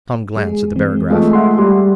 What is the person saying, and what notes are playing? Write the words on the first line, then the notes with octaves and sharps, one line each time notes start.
Tom glanced at the barograph.
G#3 G#4
E3 G#3 C4
G#3 A3 F4 G#4
E5 F#5 C6
G3